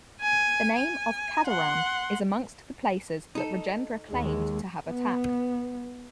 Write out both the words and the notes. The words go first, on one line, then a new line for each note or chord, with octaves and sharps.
The name of "Kadaram" is amongst the places that Rajendra claimed to have attacked.
G#5
G#5
F#5 C6
D#4 A4
D#2 G#3
B3